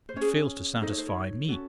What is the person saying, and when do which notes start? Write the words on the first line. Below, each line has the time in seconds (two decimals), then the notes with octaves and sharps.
It fails to satisfy Me.
0.09 C5
0.16 C#4 G#4 C#5
0.82 D#4 A4 C5 D#5
0.91 C#5
0.98 C5
1.07 C#5
1.48 C#4 F#4 A4